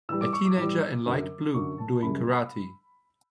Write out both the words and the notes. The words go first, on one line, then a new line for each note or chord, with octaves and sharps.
A teenager in light blue doing karate.
A2 E3 G3 E6
D6
C#6
D6
A2 E3 G3 D6
F#2 D3 F#3
F#2 D3 F#3 C#6
A5
F#2 C#3 G3 B5